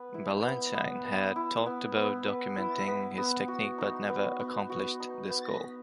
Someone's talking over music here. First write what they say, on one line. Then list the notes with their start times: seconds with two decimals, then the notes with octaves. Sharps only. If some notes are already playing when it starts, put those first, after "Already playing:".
Balanchine had talked about documenting his technique but never accomplished this goal.
Already playing: B3 B4
0.14 E4
0.45 B3
0.75 B3
1.05 B4
1.36 E4
1.66 B3
1.96 B3
2.27 B4
2.57 E4
2.88 B3
3.18 B3
3.48 F#4
3.78 D#4
4.09 B3
4.39 B3
4.69 F#4
5.00 D#4
5.30 B3
5.60 B3